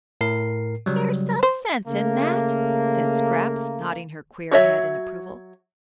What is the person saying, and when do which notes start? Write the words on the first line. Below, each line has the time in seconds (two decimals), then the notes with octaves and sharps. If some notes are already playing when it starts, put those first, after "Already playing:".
"There's some sense in that," said Scraps, nodding her queer head in approval.
0.21 A2 A#4 C7
0.86 C#3 F#3 G3
1.43 C5
1.87 C#3 A3 A#3
4.51 F#3 F#4 C#5 E5